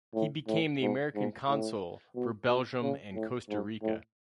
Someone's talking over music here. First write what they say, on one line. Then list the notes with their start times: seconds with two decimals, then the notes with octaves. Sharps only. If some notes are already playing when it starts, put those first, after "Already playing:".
He became the American Consul for Belgium and Costa Rica.
0.14 A2
0.47 A2
0.81 G#2
1.15 G#2
1.48 A2
2.16 B2
2.48 B2
2.82 C#3
3.15 A2
3.49 G#2
3.82 A2